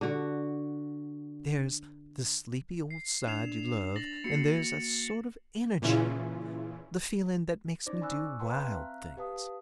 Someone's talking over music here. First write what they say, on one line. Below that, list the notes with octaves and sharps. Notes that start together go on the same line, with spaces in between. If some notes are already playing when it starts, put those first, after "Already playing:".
There's the sleepy old side you love an' there's a sort of energy--the feeling that makes me do wild things.
D3 F#4
C7
D4 C7 E7 F7
A6 A#6 F#7
A#3 F#4 C7 C#7
A#2 C#3 E3 C#4 E4 F4
C#4 D#4 C5 D5 D6 A#6
G#5 B5 C#6 E6 F#6
B4 F5 G5 A5 C6
C4 E5 F5 A#5 F6 F#6
G4 B4 F5 A5 D#6